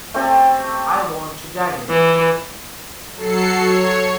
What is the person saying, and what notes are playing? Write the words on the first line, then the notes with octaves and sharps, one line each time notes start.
I want to die in it.
A3 C4 G4 A4
E3
F#3 A4 C7 C#7
C#5